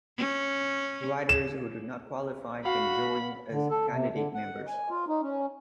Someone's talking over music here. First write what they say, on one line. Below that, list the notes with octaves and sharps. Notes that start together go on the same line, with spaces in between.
Writers who do not qualify can join as Candidate Members.
C#4
E7
F#4 F5 F#5 B5
D3
A4
C3
D3
F#5
G#5
F4
D#4
C#4